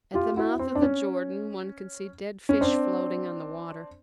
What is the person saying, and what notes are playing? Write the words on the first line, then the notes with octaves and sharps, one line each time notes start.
At the mouth of the Jordan one can see dead fish floating on the water.
F4 G4
E4 F#4
C4
D4
C#4
C#4
C4 D4